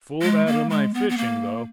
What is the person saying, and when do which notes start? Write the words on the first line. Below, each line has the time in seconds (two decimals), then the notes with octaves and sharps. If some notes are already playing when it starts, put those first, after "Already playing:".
Fooled out of my fishing though.
0.22 G#3
0.46 A#3
0.70 G#3
0.94 B3
1.09 B3
1.17 A#3